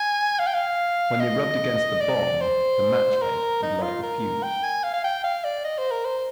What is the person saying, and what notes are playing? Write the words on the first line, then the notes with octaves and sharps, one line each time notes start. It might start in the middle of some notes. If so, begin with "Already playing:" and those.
When they rubbed against the bomb, the match head would light the fuse.
Already playing: G#5
F5
G5
F5
D#5
D5
C5
A#4
D#4
F4
A#4
G5
G#5
F5
F5
G5
F5
D5
D#5
C5
A#4
C5